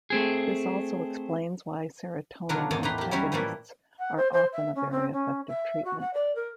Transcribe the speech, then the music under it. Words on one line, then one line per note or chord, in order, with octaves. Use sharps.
This also explains why serotonin antagonists are often a very effective treatment.
A3 C4 G#4
B2 D3 F#3 D4 F4 A#4
E2 G#2 A#3 D#4 A5
A2 G4 B4 A#5 C6
G4 A#4
F#3 G3 C#4 E4
A2 E3 F3 G3 A3 A#3
F#5
C5
C5
E5
C#4
C4
C#4
E5
F#4
F#5
D5
A#4